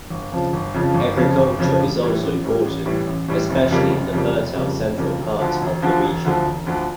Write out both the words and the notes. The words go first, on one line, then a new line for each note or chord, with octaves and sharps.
Agriculture is also important, especially in the fertile central parts of the region.
G1
F2 C#3 F3
G1
F2 C#3 F3
G1
F2 C#3 F3
G1
F2 C#3 F3
A1
A2 E3 G3
A1
A2 E3 G3
A1
A2 E3 G3
A1
A2 E3 G3
F1
F2 C#3 G3 A#3
F1
F2 C#3 G3 A#3
F1
F2 C#3 G3 A#3
F1
F2 C#3 G3 A#3
E1
D2 D3 F3
E1
D2 D3 F3
E1
D2 D3 F3
E1
D2 D3 F3